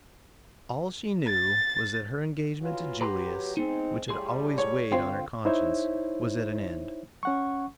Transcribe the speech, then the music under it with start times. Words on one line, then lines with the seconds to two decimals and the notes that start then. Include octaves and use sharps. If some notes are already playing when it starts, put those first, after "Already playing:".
All she knew was that her engagement to Julius, which had always weighed on her conscience, was at an end.
1.27 A6
2.61 E3 F#3 F4
3.01 F#3 G4 B4 A#5 C6
3.57 G#3 B3 C4 D#4
4.09 A2 G3 G#4 C6
4.58 C#5
4.91 D3 C4 F4 C5 G5 C6
5.45 D#4 E4 C5 C#5 E5
7.23 C#4 F#5 C#6